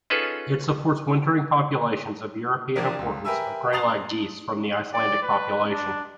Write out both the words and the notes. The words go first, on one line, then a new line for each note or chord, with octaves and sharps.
It supports wintering populations of European importance of greylag geese from the Icelandic population.
C#4 D#4 F4 G#4 A4 B4
E3 F3 D4 A#4
C#2
G4 A#4 B4 E5 G#5 E6
A5 A#5 D#6 A6 C7 F7
D5
B4
D4